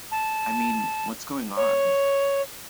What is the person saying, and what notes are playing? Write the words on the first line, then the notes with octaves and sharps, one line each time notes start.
I mean 'what's going on?
A5
C#5